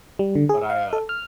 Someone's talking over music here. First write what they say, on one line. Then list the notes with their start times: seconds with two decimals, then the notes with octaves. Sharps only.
but I, uh,
0.19 G3
0.35 D3
0.49 G#4
0.70 F5
0.93 A4
1.09 F6